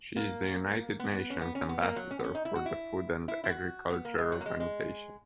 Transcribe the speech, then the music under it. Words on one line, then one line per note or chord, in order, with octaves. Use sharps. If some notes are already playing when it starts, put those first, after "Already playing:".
She is a United Nations Ambassador for the Food and Agriculture Organization.
A#3
B3
C#4
B3
C#4
B3
A#3
F#3
C#4
B3
C#4
D#4
E4
F#4
E4
E4
E4
F#4
B3
A#3
G#3
F#3
A#3
G#3
G#3